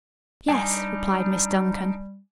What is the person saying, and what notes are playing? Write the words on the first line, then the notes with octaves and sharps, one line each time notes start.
"Yes," replied Miss Duncan.
G3 D4 D#4 G#5